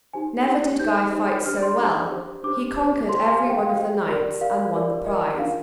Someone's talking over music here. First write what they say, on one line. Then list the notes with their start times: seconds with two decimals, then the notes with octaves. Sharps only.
Never did Guy fight so well; he conquered every one of the knights, and won the prize.
0.13 D#4 G4 C5 G#5
0.47 D#4 G4 C5
0.79 D#4 G4 C5 G6
1.12 D#4 G4 C5
1.46 D4 G4 C5 F6
1.62 C6
1.78 D4 G4 C5 D6
2.11 D4 G4 C5
2.43 D4 G4 C5 D6
2.77 G4 C5
3.09 G4 C5 C6
3.20 C6
3.31 G#5
3.42 C5 F5
3.46 G4 G5
3.59 G5
3.67 F5
3.76 G4 C5 G5
4.08 G4 A#4 D5
4.40 G4 A#4 D5 F5
4.73 G4 A#4 D5
5.06 G4 A#4 D5 D#5
5.39 D4 F4 A#4 F5